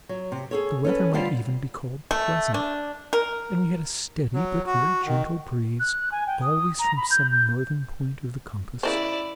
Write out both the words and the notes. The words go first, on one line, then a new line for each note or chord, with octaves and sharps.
The weather might even be called pleasant, and we had a steady but very gentle breeze always from some northern point of the compass.
F#3
C3
G#4 A4 C#5
C#4 A4 B4
D3 G3 F4 G4 C5 A5
A3
D4
A#4
F#3
F#4
D#3
F#6
G#5
G5
D#6
A#5
B5
G6
G6
C#3 E4 A#4 C5 D5